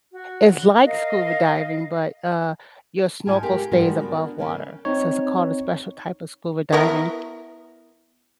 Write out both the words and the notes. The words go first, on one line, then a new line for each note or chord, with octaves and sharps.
it's like scuba diving, but, uh, your snorkel stays above water, so it's called a special type of scuba diving.
F#4
A#4 D#5 F5
G3 G#3 D#4 F4 G#5 A5
G4 G#4 A#4 F5 G5
F3 G3 G#3 A#3 D4 F#4
A#3 B3 D4
C#3 A#3 C#4
C4 D#4 C#5
B3 E4 A#4